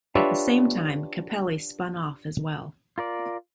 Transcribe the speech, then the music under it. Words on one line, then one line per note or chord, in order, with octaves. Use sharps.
At the same time, Capelli spun off as well.
D4 F4 G4 B4 C#5 E5
F4 A#4 D5